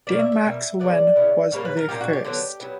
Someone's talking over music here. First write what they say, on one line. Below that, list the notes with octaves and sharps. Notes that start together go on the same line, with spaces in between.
Denmark's win was their first.
B2 G3 A#3 D5
E5
E5
B2 G3 A#3
C#3 E3 B3 D5
C#3 E3 B3
A#2 G3 A#3 C#5
B4
A#4
A#2 G3 A#3 G4
F#4
G4
D3 F#3 B3 G4
F#3 B3